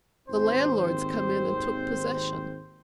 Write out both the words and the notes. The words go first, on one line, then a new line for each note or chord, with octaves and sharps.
The landlord's come in and took possession.
G#1 D#2 C4 C5